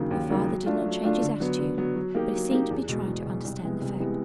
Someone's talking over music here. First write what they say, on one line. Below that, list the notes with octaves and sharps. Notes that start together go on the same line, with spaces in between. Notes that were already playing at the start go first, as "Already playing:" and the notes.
Her father did not change his attitude, but he seemed to be trying to understand the fact.
Already playing: D#2 C#3 F#3 A#3 D#4
D#2
C#3 F#3 A#3 D#4
F#3
A3 D4 F4
F#3
A3 D4 F4
D3
F#3 B3
D3
F#3 B3
F#3
A#3 D#4 G4
F#3
A#3 D#4 G4
E2
B2 G#3
E2
B2 G#3
C2
C3 E3 G#3 B3
C2
C3 E3 G#3 B3